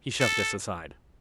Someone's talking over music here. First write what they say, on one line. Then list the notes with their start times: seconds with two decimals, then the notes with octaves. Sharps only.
He shoved us aside.
0.20 A4